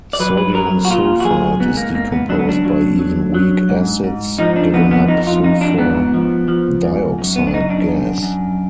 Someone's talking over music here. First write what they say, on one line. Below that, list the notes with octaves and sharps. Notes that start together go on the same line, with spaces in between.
Sodium sulfite is decomposed by even weak acids, giving up sulfur dioxide gas.
D5
F#3 B4
B4
F#3 A#4
F#4
A#2 F4
F#4
F#3 G#4
G#2 B3
A#3
G#2 A#3
B3
F#3 D4
B3
D4
F#3
F#3
F#3
G#2
G#2
F3 D#4
D4
F2 B3
B3
F2 D#4
F4
F2 D#4
D4
G#2 B3
F3
F3
G#2
F#2
B3
D4
F#2 D#4
D4
F#2
F#2